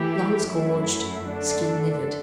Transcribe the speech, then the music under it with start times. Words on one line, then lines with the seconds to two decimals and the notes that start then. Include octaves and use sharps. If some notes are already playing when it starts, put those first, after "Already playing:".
Lungs gorged, skin livid.
Already playing: E3 A3 E4 G4
0.45 F#2 F#3 A3 E4
1.26 F#2 D3 A3 D4 A4